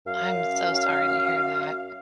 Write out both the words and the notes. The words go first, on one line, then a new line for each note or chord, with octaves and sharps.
I'm so sorry to hear that.
F#2 F5